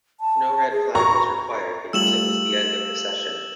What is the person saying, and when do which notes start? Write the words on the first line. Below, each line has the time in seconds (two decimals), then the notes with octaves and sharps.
No red flag was required because it was the end of the session.
0.20 A5
0.72 G#4
0.95 A#4 A#5 C#6
1.07 B5
1.93 G3 A3 F4 E6 E7 F#7